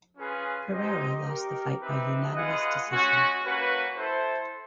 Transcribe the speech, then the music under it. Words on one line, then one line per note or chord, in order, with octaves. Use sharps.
Pereira lost the fight by unanimous decision.
C#4 F4 G#4 B4
C4 D#4 G4 C5 D#5
D#4 G4 A#4
C4 D#4 G4 B4 E5
F4 G#4 B4 D#5 F#5
G#3 C#4 F#4
A#3 C#4 F#4 B4
E4 A4 C5